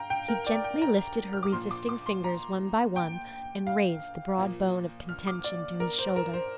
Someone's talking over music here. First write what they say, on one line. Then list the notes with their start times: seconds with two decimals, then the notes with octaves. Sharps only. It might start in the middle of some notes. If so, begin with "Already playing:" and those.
He gently lifted her resisting fingers one by one and raised the broad bone of contention to his shoulder.
Already playing: F5 G5 A#5
0.10 G5
0.28 A#4
0.47 D5
0.64 G5
0.82 A#5
1.33 F6
1.43 D6
1.52 A#2 F3 A#3 C6
1.71 D6
1.89 D6
2.06 C6
2.24 A#5
2.96 G5
3.67 F5
4.38 A#2 F3 A#3
5.09 F6
5.27 D6
5.44 D5
5.80 A#4
5.99 C5
6.16 A#4
6.34 C5